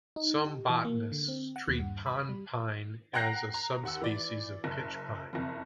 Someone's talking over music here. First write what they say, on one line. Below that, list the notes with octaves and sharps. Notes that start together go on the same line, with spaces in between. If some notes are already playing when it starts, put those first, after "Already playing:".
Some botanists treat pond pine as a subspecies of pitch pine.
D#4
G4
E3
A#3
D3
C4
F#5
D#2
G2
B5
G3
F#5 G5 A#5 F#6 A#6 C7
A#5
D#2 F#5 E6
E3 D5
F#1
F#1 F2